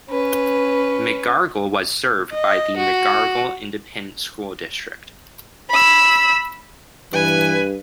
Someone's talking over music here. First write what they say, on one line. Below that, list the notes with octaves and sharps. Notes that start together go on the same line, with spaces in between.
Megargel was served by the Megargel Independent School District.
C#4 B4
D#5
F#4
B5 E6
G2 E3 B4 G#5